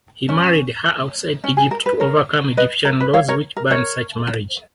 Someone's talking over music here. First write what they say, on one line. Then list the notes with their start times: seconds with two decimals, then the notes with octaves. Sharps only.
He married her outside Egypt to overcome Egyptian laws which ban such marriage.
0.29 C#4
1.44 C#4
1.57 G#4
1.71 A#4
1.86 B4
2.00 A#4 C#5
2.57 B4 D#5
2.85 A#4
3.00 B4
3.13 C#5 F5
3.28 A#4 C#5
3.57 A#4
3.70 A#4 C#5